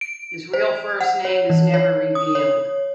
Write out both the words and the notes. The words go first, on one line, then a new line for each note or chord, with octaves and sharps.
His real first name is never revealed.
D7
C5
F#5
C#5
E3
C#5
D#6
C#5